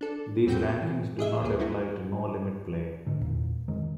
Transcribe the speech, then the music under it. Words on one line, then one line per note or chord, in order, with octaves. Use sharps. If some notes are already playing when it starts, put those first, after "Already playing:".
These rankings do not apply to no limit play.
D4 A4
E2 G3 C4 F#4 G5 G6
E3
G#4 D#5 E5
D2 A2 A#3 G#4
F#3 D#4 E4 F#4
G#2 D3
E2 A#2
F2 D#3 G#3